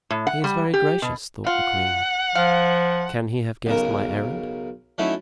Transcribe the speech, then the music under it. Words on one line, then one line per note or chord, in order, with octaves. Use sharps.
"He is very gracious," thought the queen; "can he have guessed my errand?"
A2
F#5
G3
G4
B2
F4 F#5
F3 F5
B1 C#3 A#4
F#3 A3 C#4 D#4 E4